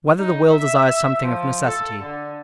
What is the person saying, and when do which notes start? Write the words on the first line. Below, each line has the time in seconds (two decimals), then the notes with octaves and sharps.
Whether the Will Desires Something of Necessity?
0.19 D#4
0.51 E5
1.23 F3
1.65 A4
2.02 D3